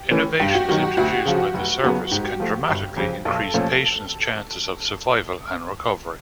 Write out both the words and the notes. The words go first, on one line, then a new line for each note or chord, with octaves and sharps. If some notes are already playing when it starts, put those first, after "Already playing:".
Innovations introduced by the service can dramatically increase patient's chances of survival and recovery.
Already playing: G4
E3 A3 C#4
G2 G4
F#4
D#3 F#3 F#4
G4
D2 F#4
C#3 F3
F1
D#2 C#3 F#3 B3
G#2 G4
F3 A3
G1
F2 C#3
B1 A4
A#2 F3 A3 C#4